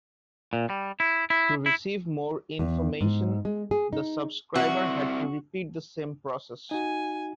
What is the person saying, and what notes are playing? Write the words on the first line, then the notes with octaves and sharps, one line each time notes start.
To receive more information the subscriber had to repeat the same process.
A#2
G3
E4
E4
E4
E2
G#2
G#3
G#4
D#4
C4 E4 F#4
D#4 F#4 G#5